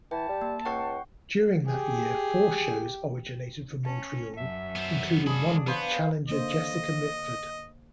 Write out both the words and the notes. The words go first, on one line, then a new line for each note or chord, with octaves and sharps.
During that year four shows originated from Montreal including one with challenger Jessica Mitford.
E3 G5 A5
G3
A#3
C#2 F#5 G5 C#6
G4 G#4
C#4 A5
F#2 E5
B3 C5
G#3 D4 G#4 B5 D#6
B3 B4 C5 F5
D3 A#3 C5 D#5